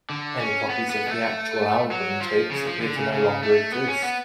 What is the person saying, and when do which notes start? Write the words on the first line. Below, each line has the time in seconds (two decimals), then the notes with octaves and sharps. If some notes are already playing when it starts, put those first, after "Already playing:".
Any copies of the actual album tapes appear to no longer exist.
0.10 D3
0.39 C#4
0.69 B3
0.90 B3
1.06 G#3
1.11 A3
1.91 F#3
2.21 F3
2.51 C#3
2.66 F3
2.81 D3
2.97 C#3
3.12 C#3
3.43 A3
3.72 B3
3.88 C#4
4.02 B3